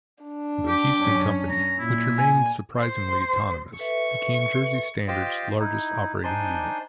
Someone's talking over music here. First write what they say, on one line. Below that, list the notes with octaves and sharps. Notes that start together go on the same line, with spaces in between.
The Houston company, which remained surprisingly autonomous, became Jersey Standard's largest operating unit.
D4
G4
F#2 C#4
A#5
A#2 E4
G#5
C5
A4 B4 E5 C#6
F4 G4 C5 D#5 F5 G5
D#4 E4
D4 D#4 C5 D5 G#5 C6